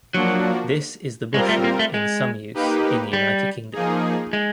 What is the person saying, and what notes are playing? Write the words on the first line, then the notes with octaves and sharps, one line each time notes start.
This is the bushel in some use in the United Kingdom.
F3 F#3 A#3 D4 F#4
G3 G#3 C4 F4 A#4
A3
A#3
A3
G#3
A#3 D#4 G4 B4
G3
F3 A#3 D#4 G#4
G#3